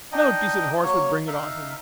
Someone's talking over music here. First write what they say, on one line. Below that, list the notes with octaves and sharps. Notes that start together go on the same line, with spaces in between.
No decent horse would bring it on him.
D4 D#4 D#5 G5
F#3 A#3 C#5
D#4 E5 F5